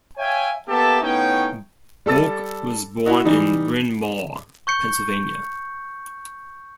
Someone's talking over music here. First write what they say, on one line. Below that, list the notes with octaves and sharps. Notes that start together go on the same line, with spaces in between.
Bok was born in Bryn Mawr, Pennsylvania.
C#5 E5 F5 G5 G#5
A#3 B3 G4 A4 E5 A5
A2 B3 C#4 D#4 C#5 G5
G3 A4 E6 A6
E4 F#4 D#5
E3 G3 D#4
C#6 G6 C#7